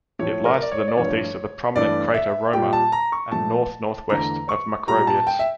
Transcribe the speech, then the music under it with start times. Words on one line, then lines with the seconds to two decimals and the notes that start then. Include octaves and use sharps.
It lies to the northeast of the prominent crater Römer, and north-northwest of Macrobius.
0.19 A2 F3 A3 C#5
0.46 A#4
0.62 D5
0.72 C#5
0.88 D5
0.97 G2 F3 A3 C#5
1.76 G2 E3 A3 D5
2.14 E5
2.53 A#2 G3 G5
2.73 A5
2.92 A#5
3.12 C#6
3.32 A#2 F3 A3 A5
4.09 E2 D3 A3 A#5
4.49 C#6
4.87 A#2 G3 A#5
5.07 A5
5.27 G5
5.39 E5